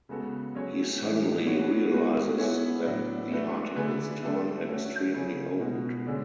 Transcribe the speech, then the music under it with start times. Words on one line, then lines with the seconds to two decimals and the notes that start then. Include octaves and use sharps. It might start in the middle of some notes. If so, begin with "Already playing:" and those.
He suddenly realizes that the articles turn extremely old.
0.09 C#3 G#3 B3 F#4 A4
0.55 F#3 C#4 G#4 C#5
1.01 A2 E3 G#3 D4
1.46 B3 F#4 C#5
1.93 G#3 B3 F#4 B4
2.38 B3 E4 G#4 C#5
2.84 A2 F#3 B3 D4
3.31 A3 D4 F#4 B4
3.76 D3 A3 D4 G#4 B4
4.23 A3 D4 A4
4.68 A3 C#4 F#4
5.14 C#3 F#3 C#4 G#4 C#5
5.59 B2 G#3 B3 F#4
6.07 D3 G#3 C#4 G#4 D5